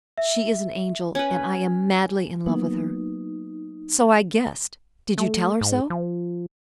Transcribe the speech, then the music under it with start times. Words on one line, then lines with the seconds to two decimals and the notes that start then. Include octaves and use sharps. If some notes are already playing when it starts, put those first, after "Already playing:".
"She is an angel, and I am madly in love with her." "So I guessed; did you tell her so?"
0.18 E5
1.15 C#4 B4
2.46 F#3 A#3 B3 D#4
5.18 A3
5.61 G#2
5.90 F3